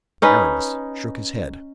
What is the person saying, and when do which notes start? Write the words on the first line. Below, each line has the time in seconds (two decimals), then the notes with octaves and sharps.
Aramis shook his head.
0.22 C#4 D#4 B4